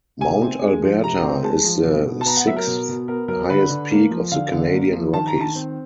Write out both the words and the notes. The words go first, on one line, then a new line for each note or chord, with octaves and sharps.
Mount Alberta is the sixth highest peak of the Canadian Rockies.
C3 G#5
C4
G#3
F3
C3 A#5
C4
G#3 A5
F3
B2
B2
A5
B3 A#5
F#5
F#3 E5
A#4
B2
B2
B3 A#4
F#3 A#4
D3 B4
D3
A#3
F3
D3 F5
D3
A#3
F3
D#3 A5
A#5
D#3
A5
C4